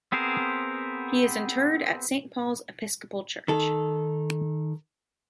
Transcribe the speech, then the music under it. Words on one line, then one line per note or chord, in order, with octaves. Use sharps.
He is interred at Saint Paul's Episcopal Church.
B3 C4 G#4 A#4 C5
D#3 A4